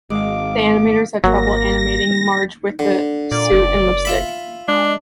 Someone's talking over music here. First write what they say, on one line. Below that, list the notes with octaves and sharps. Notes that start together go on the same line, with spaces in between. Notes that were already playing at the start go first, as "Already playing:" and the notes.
The animators had trouble animating Marge with the suit and lipstick.
G#1 G#3 D#5 F5 D6
G#1 F#3 A#3 A#6
D3
A#2 D5
F#1
F4 E5 B5
G#3 D4